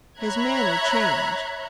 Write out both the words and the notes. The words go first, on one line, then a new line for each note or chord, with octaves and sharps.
His manner changed.
C#5 E5 A#5 B5 F#6 G#6